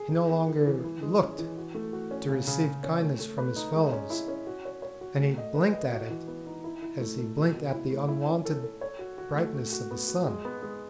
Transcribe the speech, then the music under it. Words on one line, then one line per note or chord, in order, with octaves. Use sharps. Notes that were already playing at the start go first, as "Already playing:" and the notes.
He no longer looked to receive kindness from his fellows, and he blinked at it as he blinked at the unwonted brightness of the sun.
Already playing: G#4
E3
B3
E3
E3
E4
G#3
C#4
E3
F#4
A3
F#4
C#4
C#3
C#3
C#3
C#4
A3
A3
B4
D#4
G#3
C#4
E4
C#4
F#4
C#5
C#5
F#4
A3
D#5
B4
D#5
F#4
E3
B3
D#4
E4
E4
A3
A4
B2
B2
E4
A3
E4
C#4
A4
A4
C#5
F#4
F#4
A3
F#4
F#4
B3
F#4
G#3
B3
G#3